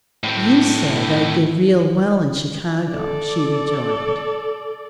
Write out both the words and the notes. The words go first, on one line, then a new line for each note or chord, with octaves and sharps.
"You said I did real well in Chicago," she rejoined.
A2 C4
A4 D5